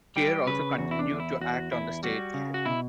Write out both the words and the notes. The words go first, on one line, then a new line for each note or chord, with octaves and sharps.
Keir also continued to act on the stage.
G3 G5
C#3 B4
E2 F#4
E4
D4
E2
E4
E2 F#4
E2 E4
G3 F#4
C#3
F#4
B2 E4